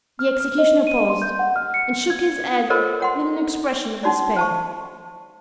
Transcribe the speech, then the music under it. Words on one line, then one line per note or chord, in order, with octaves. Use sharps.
The executioner paused and shook his head with an expression of despair.
F6
F6
D#5
D#7
C6
G6
F#5
F6
C#7
G#6
F4 A4 A#4 C5 C#5 D#5
C#5 F#5 C6
C#4 D#4 F#4 C#5 D5
C5 A5 C#6